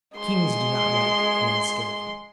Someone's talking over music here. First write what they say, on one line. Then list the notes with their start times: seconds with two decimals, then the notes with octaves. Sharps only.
Kings do not like the unskilful.
0.18 G#3 C6